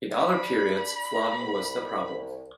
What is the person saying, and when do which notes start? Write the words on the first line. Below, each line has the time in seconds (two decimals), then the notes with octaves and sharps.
In other periods, flooding was the problem.
0.20 D4 B5
1.40 C2